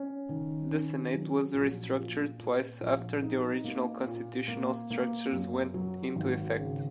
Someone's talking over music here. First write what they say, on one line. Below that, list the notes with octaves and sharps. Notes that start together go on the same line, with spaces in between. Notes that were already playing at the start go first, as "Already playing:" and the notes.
The Senate was restructured twice after the original constitutional structures went into effect.
Already playing: C#4
D#3
C#4
F#3
A#1
A#2
A#2
A#1
D#4
A#3
A#2
A#3
A#3
F#2
F#3
G#1
C#3